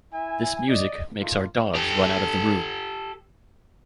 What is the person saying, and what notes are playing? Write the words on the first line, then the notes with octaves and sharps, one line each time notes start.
This music makes our dogs run out of the room'!
E4 E5 G#5
D5 D#5
A3 A#3 D#4 F4
G4 A4